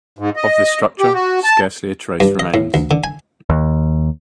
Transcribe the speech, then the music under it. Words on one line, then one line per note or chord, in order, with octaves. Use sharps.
Of this structure, scarcely a trace remains.
G#2
D#5
G4
F#4
A5
G2
D#5
A2
D2
D3
G#5
D#2